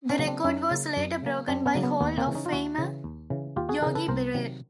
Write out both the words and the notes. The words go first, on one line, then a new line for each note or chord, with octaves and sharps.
The record was later broken by Hall of Famer Yogi Berra.
B3 C#4
C#3 F#3 A#3
C4 D4
F#2 C#4 D#4
C#3 F#3 A#3
F#2
C#3 F#3 A#3
F#2 C4 D4
B3 C#4
C#3 F#3 A#3
B3
D#2 B3
A#3 C4
C#3 E3
C#4 D#4
F4
D#2 E4 F#4
C#3 E3
D#2
C#3 E3
D#2 F4 G4
F#4 G#4
C#3 E3 G#4 A#4
A4 B4
C2 A#4 C5
C3 D#3 F#3